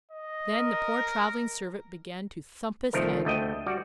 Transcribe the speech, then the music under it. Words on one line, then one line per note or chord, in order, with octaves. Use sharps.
Then the poor travelling servant began to thump his head.
D#5
A#4
C2 D#3 F3 A3 A#4
D2 A3 D#5 G5
G3 F#4 D5